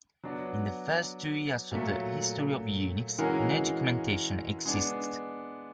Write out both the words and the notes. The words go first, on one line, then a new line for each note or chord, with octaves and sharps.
In the first two years of the history of Unix, no documentation existed.
F#3 B3 D4 F#4
A#2 F#3 A3
E3 G#3 C#4 F#4 A#4
G#3 B3 D4